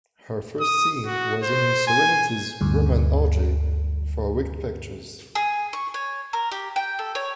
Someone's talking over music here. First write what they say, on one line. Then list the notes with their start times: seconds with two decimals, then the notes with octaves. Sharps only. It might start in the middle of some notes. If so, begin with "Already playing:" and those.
Her first scene was in "Serenity's Roman Orgy" for Wicked Pictures.
0.60 D#6
1.06 F#4
1.43 C5
1.87 G#5
2.61 D2 G2
5.35 G#4
5.73 C#6
5.94 C#5
6.33 A#4
6.52 G4
6.76 G5
6.99 A4
7.15 C#5